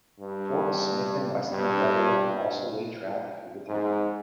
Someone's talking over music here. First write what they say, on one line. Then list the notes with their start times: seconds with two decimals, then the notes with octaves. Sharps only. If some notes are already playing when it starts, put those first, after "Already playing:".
Fort Smith and Western Railroad also laid track through the town.
0.19 G2
1.50 G2
3.67 G#2